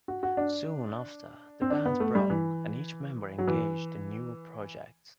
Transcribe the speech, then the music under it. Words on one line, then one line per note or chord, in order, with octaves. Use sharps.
Soon after, the band broke, and each member engaged in new projects.
F#4
F#4
D4
C4
D4
B3
A3
G3
E3
F#3
E3